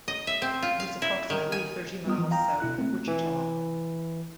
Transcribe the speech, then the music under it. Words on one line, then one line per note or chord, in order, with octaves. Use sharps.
It is approximately thirty miles south of Wichita.
D#5
E5
C4
F4
F5
E4
D#3
G#5
G3 B3 F4 D#6
E3 F3
F5 G5 A#5
B2 E4 F#6
A3 C4
E3